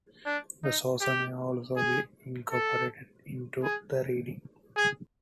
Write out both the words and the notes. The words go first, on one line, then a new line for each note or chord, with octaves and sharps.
The saucer may also be incorporated into the reading.
D4
D#4
G4
G#4
A4
G#4
G#4